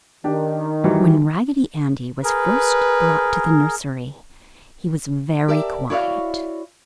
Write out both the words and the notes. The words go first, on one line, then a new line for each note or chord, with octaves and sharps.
When Raggedy Andy was first brought to the nursery he was very quiet.
D#3 D4 G4
E3 F#3 G3
G#4 A#4 B4
G4 A#4 D5 E5 A5
E4 F#4 C#5 D5 E5 F5